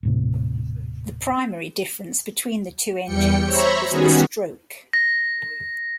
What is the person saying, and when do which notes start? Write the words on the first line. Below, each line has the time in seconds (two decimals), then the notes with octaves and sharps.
The primary difference between the two engines was the stroke.
0.03 D#1 A2 C3
3.03 E2 G3 G5 C#7
3.45 C5 C#5 E5 A#5 B5 C#6
3.88 D#3 G3 B3 C#4 F#4 G#4
4.93 A#6